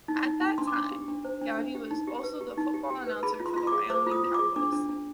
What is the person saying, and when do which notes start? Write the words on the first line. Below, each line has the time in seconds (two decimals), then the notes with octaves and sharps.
At that time, Gowdy was also the football announcer for the Wyoming Cowboys.
0.08 D#4
0.25 D#4
0.41 D#4
0.58 D4 C6
0.67 D6
0.75 D4 C6
0.92 G4
1.08 D4
1.25 C5
1.41 D4
1.58 D4
1.75 G4
1.91 D#4
2.07 G4
2.23 B4
2.41 G4
2.57 D#4
2.74 G4
2.91 G4
3.07 B4
3.23 G#4 B5
3.40 F4
3.46 C6
3.56 F4 C6
3.67 D6
3.73 G#4
3.90 C5 D6
4.06 F4
4.11 D#6
4.23 F4
4.34 G#4 D6
4.56 D4 D6
4.73 D4
4.89 D4